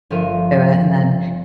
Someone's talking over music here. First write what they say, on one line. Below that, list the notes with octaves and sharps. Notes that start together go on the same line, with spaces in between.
it, and then,
G1 F3 A3 A#4 E5 D#7